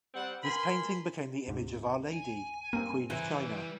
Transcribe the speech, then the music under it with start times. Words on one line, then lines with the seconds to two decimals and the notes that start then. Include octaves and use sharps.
This painting became the image of Our Lady, Queen of China.
0.14 G3 C4 F#5
0.44 A#4 B4 G#5 B5 C6
1.48 D2 G#2 C3
2.13 G#5
2.73 G2 A#3 C4
3.10 C#3 E3 G3 C5 G#5 A#5